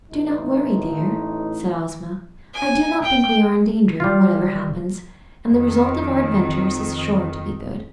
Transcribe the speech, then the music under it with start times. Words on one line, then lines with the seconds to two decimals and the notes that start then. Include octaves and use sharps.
"Do not worry, dear," said Ozma, "I do not think we are in danger, whatever happens, and the result of our adventure is sure to be good."
0.12 A1 D#4
2.53 G#5
3.02 G5
4.00 G3 F4
5.49 F2 D#3